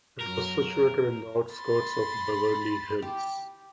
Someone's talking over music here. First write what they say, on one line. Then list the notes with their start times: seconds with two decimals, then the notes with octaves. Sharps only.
It was situated in the outskirts of Beverly Hills.
0.21 F#2 F#3 A#4
1.53 B5 C6 A6
3.02 G4